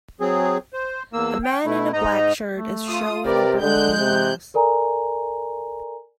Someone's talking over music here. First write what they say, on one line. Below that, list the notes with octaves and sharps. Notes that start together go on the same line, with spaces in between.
A man in a black shirt is showing a broken glass.
F#3 C4 G#4
C5
E2 A#3 E6
G5
B2 A3 E4
G#2 D#4 D#5 A#5
A3
F4 D#6
C3 G4 A#4 B4 D5
D3 G#3 F#6 G6
C3
A4 A#4 D5 G#5 A#5